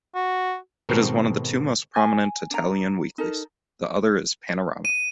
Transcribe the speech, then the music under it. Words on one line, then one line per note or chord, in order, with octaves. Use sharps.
It is one of the two most prominent Italian weeklies; the other is "Panorama".
F#4
G#2 B2 D#3 C4 A4 A#4
G#5
D4 A#5
D#4 A4 A#4
D#7